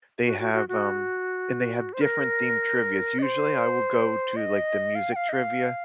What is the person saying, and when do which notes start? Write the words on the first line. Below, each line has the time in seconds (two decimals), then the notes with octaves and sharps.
They have, um and they have different themed trivias. Usually, I will go to, like, the music trivia.
0.25 F#4
0.40 F#4
0.54 F#4
0.69 F#4
1.93 C5
2.01 A#4
3.19 D#5
3.22 C5
4.36 D#5
4.95 F5
5.12 G5
5.16 F5
5.29 D#5
5.33 F5